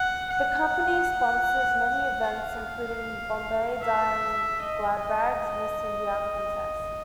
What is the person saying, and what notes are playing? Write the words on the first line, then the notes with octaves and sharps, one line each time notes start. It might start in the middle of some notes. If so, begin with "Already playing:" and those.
The company sponsors many events, including Bombay Dyeing Gladrags Mrs. India contest.
Already playing: F#5
F#5
F5
E5
D#5
D#5